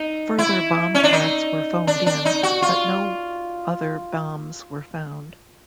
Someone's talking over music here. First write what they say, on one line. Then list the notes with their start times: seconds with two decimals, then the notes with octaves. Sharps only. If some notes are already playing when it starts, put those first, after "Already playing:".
Further bomb threats were phoned in, but no other bombs were found.
Already playing: D#4
0.38 E4
0.95 C#4
1.04 D4
1.13 D#4
1.87 D4
2.06 D4
2.25 D#4
2.43 F#4
2.62 F4